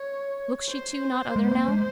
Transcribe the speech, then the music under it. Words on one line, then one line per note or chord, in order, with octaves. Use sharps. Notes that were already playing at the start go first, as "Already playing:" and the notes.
Looks she too not other now?
Already playing: C#5
C5
G#3
A#3
G#3